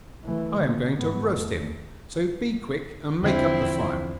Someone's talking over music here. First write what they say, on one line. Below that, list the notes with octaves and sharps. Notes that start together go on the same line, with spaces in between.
I am going to roast him, so be quick and make up the fire!'
E3 A3
D3
G#2 B3
E2 A3
E2 D3 F3 C4 E4